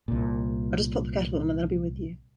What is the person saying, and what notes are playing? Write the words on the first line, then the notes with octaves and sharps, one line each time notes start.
I'll just pop the kettle on and then I'll be with you.
C2 A#2